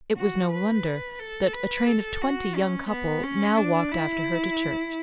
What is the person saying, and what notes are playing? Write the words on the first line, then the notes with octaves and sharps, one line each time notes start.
It was no wonder that a train of twenty young couple now walked after her to church.
F#4
B4
A4
B4
A4
F#4
C#4
B3
C#4
D4
E4